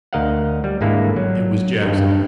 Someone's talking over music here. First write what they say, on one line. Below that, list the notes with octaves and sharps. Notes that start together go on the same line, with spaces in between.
It was Jackson.
D2 A#4 D#5 F5 F#5
G3
G#1 D3 G#3 A#3 E4 A4
F#3
G2 D#3
G2